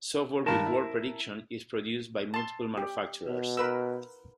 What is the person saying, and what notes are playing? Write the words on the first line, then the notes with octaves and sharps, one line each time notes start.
Software with word prediction is produced by multiple manufacturers.
G2 D#3 A#4 A5
E4
A5 C6
G4
B2
A#4 B4 E6